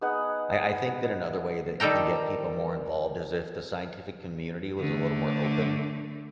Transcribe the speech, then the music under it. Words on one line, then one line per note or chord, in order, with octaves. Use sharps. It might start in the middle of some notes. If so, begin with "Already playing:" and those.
I I think that another way that can get people more involved is if the scientific community was a little more open,
B3 D#4 G#4 F#5
D#3 G3 A4 G5 A#5
D3 A3